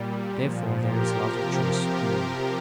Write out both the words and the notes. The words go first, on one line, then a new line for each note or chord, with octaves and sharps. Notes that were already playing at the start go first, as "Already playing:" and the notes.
Therefore there is love of choice in them.
Already playing: A#2 G3
A#2 F3
G4 A#4
C3 F3